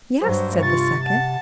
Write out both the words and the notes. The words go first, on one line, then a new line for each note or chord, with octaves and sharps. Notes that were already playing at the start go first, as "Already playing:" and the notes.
"Yes," said the second.
G2 F#3 C5
C3 F4 C#6 A6
F#5 A5